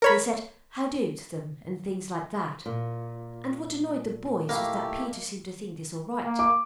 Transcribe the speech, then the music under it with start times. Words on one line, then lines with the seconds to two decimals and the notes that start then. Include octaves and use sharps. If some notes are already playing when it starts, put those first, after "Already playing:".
They said 'How-do?' to them, and things like that; and what annoyed the boys was that Peter seemed to think this all right.
0.02 A#4 C#5 B5
2.66 A#2
4.49 A3 A#3 E4 G4 D#5 F5 B5
6.25 A#3
6.39 D6